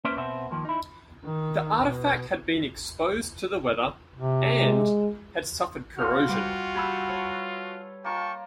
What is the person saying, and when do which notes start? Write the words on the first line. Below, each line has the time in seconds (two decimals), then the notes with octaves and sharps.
The artifact had been exposed to the weather and had suffered corrosion.
0.05 A#3 C#4 B4 C5 D5 E5
0.17 B2 B3 C4 C5 E5
0.51 D#3 F3 A#3
0.65 D#4 E4
1.25 D#3
1.84 B2
4.17 C3
4.59 G#3
5.98 F3 G3 F4 F#4 C6 F6
6.28 G3 F4 B4 F#5 G5
6.75 G4 A4 G#5 B5 E6
7.09 C#5
8.04 A#3 F4 D#5 G5 A5 C#6